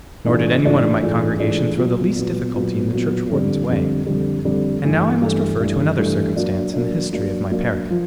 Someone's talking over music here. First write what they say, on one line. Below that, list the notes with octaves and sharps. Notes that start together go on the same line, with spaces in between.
Nor did any one of my congregation throw the least difficulty in the churchwarden's way.--And now I must refer to another circumstance in the history of my parish.
G#2 E3 A3 D4 F4
G#2 E3 A3 D4 F4
G#2 E3 A3 D4 F4
G#2 E3 A3 D4 F4
A#2 F#3 B3
A#2 F#3 B3
A#2 F#3 B3
A#2 F#3 B3
F2 D3 G3
F2 D3 G3
F2 D3 G3
F2 D3 G3
G2 E3 A3
G2 E3 A3
G2 E3 A3
G2 E3 A3
F#3 A#3 D4
F#3 A#3 D4
F#3 A#3 D4
F#3 A#3 D4
F3